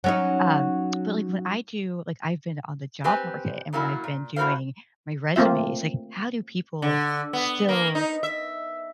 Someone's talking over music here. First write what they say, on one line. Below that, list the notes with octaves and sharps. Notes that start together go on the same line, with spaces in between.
um, but, like, when I do like, I've been on the job market, and when I've been doing my resumes, like, how do people still
F#3 C#4 D#4
C4 G4 B4 C5 G#5
D#3 F#3 A#3 C#4 E4
A#2
A3 E4 F#4 A#4 C5 F5
A3 A#3 C4 F4 E5
D3
B3
A#3
D#4
E5